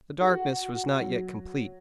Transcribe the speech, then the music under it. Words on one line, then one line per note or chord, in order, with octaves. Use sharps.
The darkness was not yet complete.
F#4
F#3